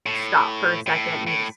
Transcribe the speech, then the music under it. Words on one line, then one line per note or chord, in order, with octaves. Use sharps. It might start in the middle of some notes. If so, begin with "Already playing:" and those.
stop for a second and just
A2
A2
A2